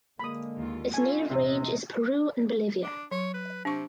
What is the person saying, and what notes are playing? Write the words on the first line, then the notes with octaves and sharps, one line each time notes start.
Its native range is Peru and Bolivia.
D3 G#3 A#3 B5 D#6
D#2 F4
C#4 F4 A4 G#5
A#1 E2 C3 D#5
D4
F#3 C#5
B4
C3 D4 C#6